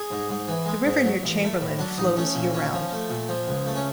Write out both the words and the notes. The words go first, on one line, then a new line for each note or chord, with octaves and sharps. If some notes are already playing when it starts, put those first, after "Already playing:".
The river near Chamberlain flows year-round.
Already playing: G#4
G#2
G#2
E3
G#3
G#2
F#3
A1
A3
A2
F#3 D4
A1 D#4
A3 C#4
A#2
C#4
F3
A3
A#2
F3
C#2
A3
C#4